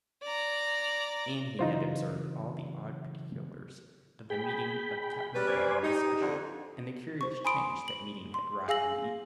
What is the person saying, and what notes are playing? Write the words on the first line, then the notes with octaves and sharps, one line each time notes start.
And he had observed all the odd particulars of the meeting of Captain Blood and Miss Bishop, and the curious change that meeting had wrought in each.
D5 A#5
C#3 E3 F#3 D#4 F4 C5
G#4 G5 B5
G3 C#4 B4
C5 D5 G#5
D#4 G4
F2 D3
C5 C#6
G#5 B5 C6 D#6 D7
F#7
C6
G#4 F5 G#5 E6 A#6 F#7